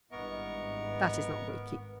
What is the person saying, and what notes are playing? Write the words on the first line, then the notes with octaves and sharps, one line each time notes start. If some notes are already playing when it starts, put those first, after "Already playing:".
That is not wicked.
G#1 G2 B3 E4 A#4 D#5 C#6